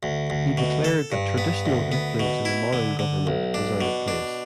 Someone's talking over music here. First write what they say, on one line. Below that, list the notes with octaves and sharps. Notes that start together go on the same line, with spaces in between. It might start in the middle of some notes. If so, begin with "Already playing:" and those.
He declared that traditional influence in a modern government was out of place.
D2
D2
B2
A4
G2
B3
D2
B3
B2
E4
D3
D3
B1
D4
B2
D4